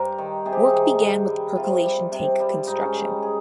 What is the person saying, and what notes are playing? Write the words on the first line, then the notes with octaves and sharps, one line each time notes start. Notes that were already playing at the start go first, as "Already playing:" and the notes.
Work began with the percolation tank construction.
Already playing: G2 A#4 C5
D#3
C3 G#4
G4
G#4
D#3
G2
G3
C3 F4
G3
C3
G3
G#2 D#4
C#4
G3
G#4